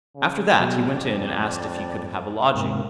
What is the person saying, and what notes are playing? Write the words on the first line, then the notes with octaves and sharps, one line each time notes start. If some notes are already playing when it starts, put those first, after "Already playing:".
After that he went in and asked if he could have a lodging?
C#3
B2 F#3 G3
F2 D5
G#2 C3 A#3